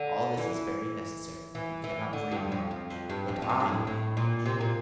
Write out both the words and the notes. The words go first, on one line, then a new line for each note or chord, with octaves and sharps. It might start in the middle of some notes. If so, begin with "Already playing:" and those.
All this is very necessary: you cannot dream how much: but I know how much.
Already playing: D3
E3
E3
E3
D3
G2
F2
F2
F2
G2
F2
F2
G2
G2
A2
A2
A#2
C3
A#2